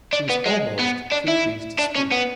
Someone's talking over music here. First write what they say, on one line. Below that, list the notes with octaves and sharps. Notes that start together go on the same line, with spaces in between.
She was almost too pleased to speak.
D4
B3
G#3
B3
D4
E4
D4
C#4
B3